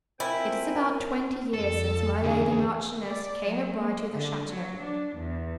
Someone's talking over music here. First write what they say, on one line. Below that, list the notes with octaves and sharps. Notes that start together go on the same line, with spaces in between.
'It is about twenty years since my lady Marchioness came a bride to the chateau.
F3 C4 E4 A#4 C5 G5 G#5
F2 F3 A4
E2 D3 G#4
D5
F#3
A#3
D3
F#3
D4
E2